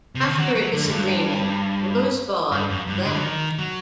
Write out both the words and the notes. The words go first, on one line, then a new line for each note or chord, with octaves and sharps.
After a disagreement, Rosbaud left.
C3
D3
D#3
F#3
F#3
D3
F#2
G2
G2
F#2
G2
D3
F#3
D#3
F#3